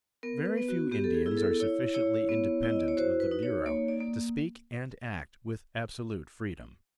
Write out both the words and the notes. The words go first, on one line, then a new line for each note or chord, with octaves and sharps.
Very few Indians are sufficiently independent of the Bureau to speak and act with absolute freedom.
B3 A#4
B4
B3
F#4
B3 G4
A4
G#4
E4
G#4
A4
E4 C#5
E4 C#5
B3
E4
D#5
D5
C#5
F#4 C5
B4
D#4
C#5
A#3 C#5
D5
A#3